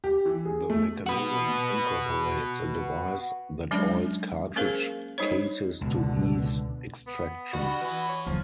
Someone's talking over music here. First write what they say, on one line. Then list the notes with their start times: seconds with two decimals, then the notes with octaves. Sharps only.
The mechanism incorporates a device that oils cartridge cases to ease extraction.
0.04 G4
0.25 E3
0.45 G#4
0.70 A3
1.06 F#4 B4
3.71 F#3 G#3 C#4 D4 D5 B5
4.56 A#3 C#4 G#4 A#4 C5 F5
5.18 G3 D#4 C5 C#5
5.81 C#2 B2 D3
7.07 B3
7.53 G2 G3 F#4
7.81 E3 B3
8.09 C#5
8.27 D2 F3 F#3